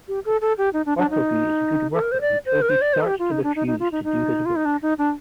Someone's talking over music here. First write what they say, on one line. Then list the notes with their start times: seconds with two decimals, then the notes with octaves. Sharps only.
Bartleby is a good worker until he starts to refuse to do his work.
0.08 G4
0.25 A4
0.41 A4
0.58 G4
0.73 D#4
0.86 D4
0.98 D4
1.10 D#4
1.93 A4
2.02 A#4
2.12 C5
2.21 D5
2.46 C5
2.62 A#4
2.70 C5
2.81 D5
2.94 C5
3.01 A4
3.07 G4
3.19 F4
3.31 D#4
3.43 D4
3.56 D#4
3.67 D#4
3.80 F4
3.92 D#4
4.04 D#4
4.46 F4
4.56 D#4
4.65 D4
4.82 D#4
4.98 D4